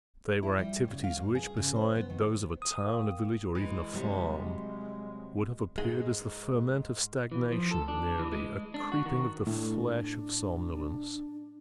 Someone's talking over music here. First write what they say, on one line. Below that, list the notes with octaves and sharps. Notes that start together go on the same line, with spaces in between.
They were activities which, beside those of a town, a village, or even a farm, would have appeared as the ferment of stagnation merely, a creeping of the flesh of somnolence.
E4
G3
C#3
F5
G2
G#4
C#3
C5
B3
D#3
D#6
A#4 F5 G5
E3 G#3
C3 F#3 G3
G#2 G#3
E3
F3
A4
D4
E3
G#3
D4
F#4
D#3
A2 D4